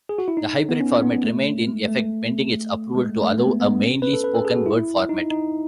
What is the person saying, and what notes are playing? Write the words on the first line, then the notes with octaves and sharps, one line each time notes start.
The hybrid format remained in effect pending its approval to allow a mainly-spoken-word format.
G#4
F#4
E4
D#4
B3
C#4
B3
A3
G#3
A3
G#3
A3
A3
B3
B3
C#4
B4
A4
B4
A4
G#4
F#4
E4
D#4
D#4